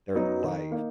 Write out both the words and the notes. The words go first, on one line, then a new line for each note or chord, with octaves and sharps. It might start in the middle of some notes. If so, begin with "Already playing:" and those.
their life,
F#3 B3 D#4
D#3
A#3 D#4